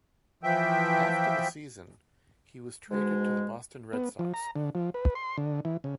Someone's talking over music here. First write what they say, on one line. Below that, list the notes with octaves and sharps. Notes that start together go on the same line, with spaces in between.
After the season, he was traded to the Boston Red Sox.
E3 F3 E5 G5
G#2 B2 G#3
B3
F3
A#5
D3
F3
B4
C6
D3
E3
C#3